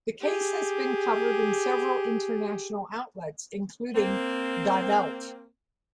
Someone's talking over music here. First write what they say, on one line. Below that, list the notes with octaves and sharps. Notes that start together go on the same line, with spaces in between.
The case has been covered in several international outlets including 'Die Welt'.
G4 G#4
A#3 C4